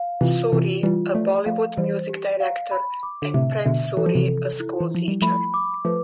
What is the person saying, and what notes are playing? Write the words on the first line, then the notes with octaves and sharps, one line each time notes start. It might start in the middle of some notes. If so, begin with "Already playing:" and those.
Suri, a Bollywood music director, and Prem Suri, a schoolteacher.
Already playing: F5
C3 E3 F4
C3 E3 F4
E3 G3 F4
F3 A3 D5
F3 A3 F5
E3 G3 C5
G4
F5
B5
D6
D3
A2 C3 E5
B2 D3 E5
E3 A4
F3
C3 E3
A4
E4
E3
F3 E4
G3
F3 A3 B5
D6
F3 A3 B4